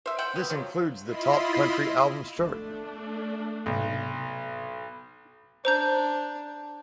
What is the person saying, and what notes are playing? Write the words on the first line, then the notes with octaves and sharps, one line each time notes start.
This includes the Top Country Albums chart.
C5 E5
C5 F#5 G5
B3 C4
F3 F#3
E4 F4 D#5 B5 C6
A3 B3 D4 F4
B1 G#2 C3
D4 C5 A#5 G6